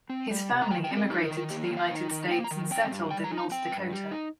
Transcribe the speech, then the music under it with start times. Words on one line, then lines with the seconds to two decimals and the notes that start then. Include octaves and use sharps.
His family immigrated to the United States and settled in North Dakota.
0.10 C4
0.31 G3
0.51 C3
0.61 A#5
0.71 D#3 G5
0.84 G5
0.91 C4
0.97 A#4
1.10 D#4 G4
1.24 A#4
1.31 D#3
1.37 A#4
1.50 A#3 G4
1.64 F4
1.71 D#3
1.77 F5
1.91 D#4
2.11 D#3
2.31 A#3 G5
2.44 A#5
2.51 D#3
2.71 C4 G5
2.91 G2
3.11 G3 G5
3.24 A#5
3.32 D#4
3.37 A#5
3.51 C4 G5
3.72 G2
3.92 G3
4.11 D#4